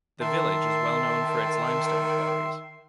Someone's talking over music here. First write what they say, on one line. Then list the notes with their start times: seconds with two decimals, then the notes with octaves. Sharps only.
The village is well known for its limestone quarries.
0.20 D#3 E5 A5 C6